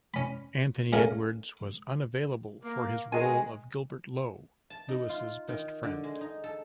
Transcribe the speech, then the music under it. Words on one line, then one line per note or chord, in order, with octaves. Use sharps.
Anthony Edwards was unavailable for his role of Gilbert Lowe, Lewis's best friend.
C#4 B5
A3 C#4 G#4 A#4 D#5 F5
A#3
A#2 D#3 G#3 G#5
A5
D#4
F4
D#3
D3
G#3
D#4
A4